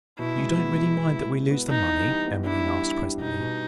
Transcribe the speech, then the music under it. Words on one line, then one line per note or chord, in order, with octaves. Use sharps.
'You don't really mind that we lose the money?' Emmeline asked presently.
B2 E4
G#3
B3
G#3
B3
G#3
B3
B3
E3 D#4
E3
G3
B3
D4 E4
G3
D4
G3
B2 D#4
B2